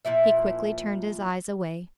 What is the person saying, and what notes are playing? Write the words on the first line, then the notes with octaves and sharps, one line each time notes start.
He quickly turned his eyes away.
A#2 F3 E4 E5